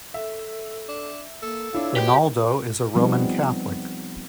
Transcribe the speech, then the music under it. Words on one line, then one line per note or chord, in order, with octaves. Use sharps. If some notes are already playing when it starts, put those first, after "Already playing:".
Ronaldo is a Roman Catholic.
A4 E5
D4
A#3 A4
D4 E4 F4 C#5
G#3 F#4 G4 B4 G5
F3 G3 B3 C4 D#4